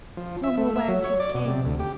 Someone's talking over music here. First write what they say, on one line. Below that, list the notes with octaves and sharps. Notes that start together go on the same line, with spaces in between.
Homo wagged his tail.
F3
E5
A3
E5
F#3
C#5
D5
B2
C3
D2
G4